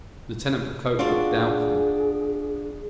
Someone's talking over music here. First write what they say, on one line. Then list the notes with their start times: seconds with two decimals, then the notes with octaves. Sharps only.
Lieutenant Procope looked doubtful.
0.99 D4 F4 F#4 G#4